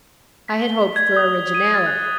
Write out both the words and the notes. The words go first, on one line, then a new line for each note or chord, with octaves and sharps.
I had hoped for originality.
B6
G7
G#6
D#6
D#7
A6
F#6